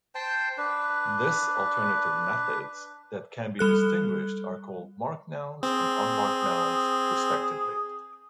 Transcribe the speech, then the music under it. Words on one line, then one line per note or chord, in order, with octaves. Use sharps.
This alternative methods that can be distinguished are called marked nouns and unmarked nouns respectively.
C5 G5 A5
D4 B4
G3 A4 F#6
C4 G#4